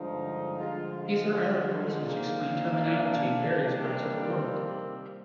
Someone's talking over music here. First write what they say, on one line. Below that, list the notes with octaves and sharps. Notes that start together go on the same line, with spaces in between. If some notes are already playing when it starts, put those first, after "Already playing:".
These are articles which explain terminology in various parts of the world.
Already playing: G2 D3 F3 G#3 D#4
D3 F3 G#3 F4
F4
A#2 F3 A#3 D#4
D4
C3 D#3 G3 A#3 D4
C4